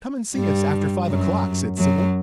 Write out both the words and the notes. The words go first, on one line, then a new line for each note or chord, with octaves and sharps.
"Come and see us after five o'clock," said Sybil.
G2 G3
F#2 F#3
F#2 F#3